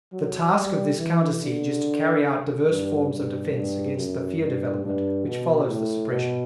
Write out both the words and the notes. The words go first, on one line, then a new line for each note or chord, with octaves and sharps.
The task of this counter siege is to carry out diverse forms of defense against the fear development which follows the suppression.
F#3
G3
E3
D3
G2
G2
G2
F#2
G2
G2
B2
A2
B2